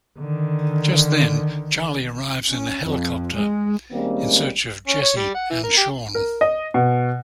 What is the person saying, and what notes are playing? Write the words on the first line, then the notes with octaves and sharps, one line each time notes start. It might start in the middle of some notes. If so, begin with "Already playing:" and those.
Just then Charlie arrives in a helicopter in search of Jessie and Sean.
D3 D#3
C#4
F2
G#3
D#3 G3 G#3 A#3 C4 C#4
C#4
C#5
G3
F#5
E3
A#4
G4
A#4
D#5
B2